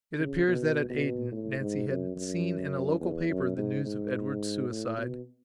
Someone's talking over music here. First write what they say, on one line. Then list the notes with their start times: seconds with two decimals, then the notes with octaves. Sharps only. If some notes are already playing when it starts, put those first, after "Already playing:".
It appears that at Aden Nancy had seen in a local paper the news of Edward's suicide.
0.20 C#3
0.47 B2
0.90 B2
1.32 A2
1.60 G#2
1.88 F#2
2.16 F#2
3.00 E2
3.29 F#2
3.57 G#2
3.85 G#2
4.69 A2
4.98 B2